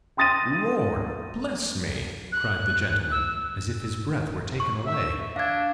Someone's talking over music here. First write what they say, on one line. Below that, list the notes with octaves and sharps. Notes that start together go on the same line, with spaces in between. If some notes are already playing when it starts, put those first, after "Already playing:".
"Lord bless me!" cried the gentleman, as if his breath were taken away.
G5 C6 D#6 A6 A#6 D#7
F#6
E6
C#6
E5
D4 F5 G#6